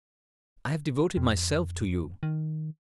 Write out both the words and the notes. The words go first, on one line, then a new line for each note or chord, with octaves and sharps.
I have devoted myself to you.
F2
D#3